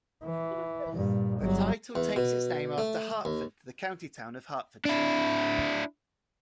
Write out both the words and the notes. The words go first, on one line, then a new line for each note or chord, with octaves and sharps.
The title takes its name after Hertford, the county town of Hertfordshire.
E3
G2 A#2
G1 F#3
E2
B2
A3
D#2
D4 E4